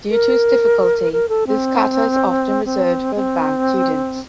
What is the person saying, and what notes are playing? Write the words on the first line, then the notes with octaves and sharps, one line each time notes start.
Due to its difficulty, this kata is often reserved for advanced students.
A#4
A#4
A4
C4
C4
C4